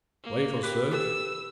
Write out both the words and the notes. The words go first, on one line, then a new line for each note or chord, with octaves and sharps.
"Wait or serve?"
A#3
G4 A#4 B4
G4 A4 B4 E6